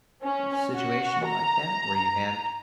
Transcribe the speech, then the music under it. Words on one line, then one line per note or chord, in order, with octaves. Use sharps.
situation like that, where you had,
C#4
F#4
A#5